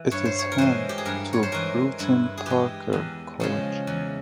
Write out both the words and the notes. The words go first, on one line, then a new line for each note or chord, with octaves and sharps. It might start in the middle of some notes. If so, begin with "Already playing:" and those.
It is home to Brewton-Parker College.
Already playing: E3
G2 C#5
C5
C#5
A#4
E3 G#3 C5
G4
G#4
G2 A#4
C#5
C5
E3 G#3 A#4
G2 E4
G#4
E3 G#3 G4
E2
C#3 F3 G#3
E2